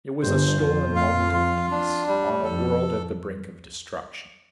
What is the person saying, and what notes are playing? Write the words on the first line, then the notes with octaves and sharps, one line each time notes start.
It was a stolen moment of peace on a world at the brink of destruction.
G1 G2 C5
F2 F4
F5
F4
D4
G3
F2 A4